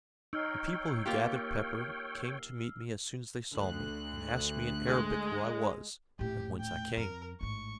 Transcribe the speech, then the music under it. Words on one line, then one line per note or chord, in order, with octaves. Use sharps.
The people who gathered pepper came to meet me as soon as they saw me, and asked me in Arabic who I was, and whence I came.
D#4 C#5 G5 E6 F6 C7
A#3 F4 G4
D2 F#6
G#3
D#1 A2 G4
G5
F2 A#4
A1 G#2 C#6